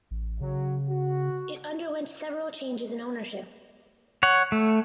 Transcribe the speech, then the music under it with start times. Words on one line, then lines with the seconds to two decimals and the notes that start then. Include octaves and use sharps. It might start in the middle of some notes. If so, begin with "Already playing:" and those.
It underwent several changes in ownership.
0.11 A1
0.41 C#3 F#3
0.89 F#4
4.23 C#5 F#5
4.52 A3